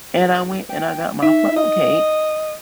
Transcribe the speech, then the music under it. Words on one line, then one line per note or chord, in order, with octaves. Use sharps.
And I went and I got my funnel cake
G5
D#4 E5
D#5